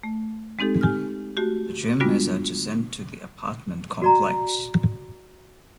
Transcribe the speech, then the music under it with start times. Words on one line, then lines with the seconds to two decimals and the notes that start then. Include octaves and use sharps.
The gym is adjacent to the apartment complex.
0.03 A3
0.59 G#3 C4 D#4 G4 A4
0.81 G4 G#5 F6
1.37 A3 F#4 G4
2.00 G3 G#3 B3 D4 F4 F#4
4.02 F#4 D5 A#5